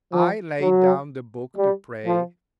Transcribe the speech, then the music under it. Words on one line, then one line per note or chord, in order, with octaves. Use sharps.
I laid down the book, to pray.
F3
F#3
G3
F3